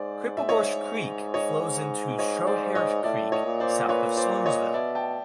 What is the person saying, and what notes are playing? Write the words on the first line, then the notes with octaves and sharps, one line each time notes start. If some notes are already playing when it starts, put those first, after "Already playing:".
Cripplebush Creek flows into Schoharie Creek south of Sloansville.
Already playing: G#2 C5 D5
E5
C#5 D#5
C#5 D#5
C#5 D#5
C5 D5
C#5 D#5
A2 D5 E5
C#5 D#5
A#2
C5 D5
B4 C#5
C5 D5
C#5 D#5
B2 D5 E5
G5 A5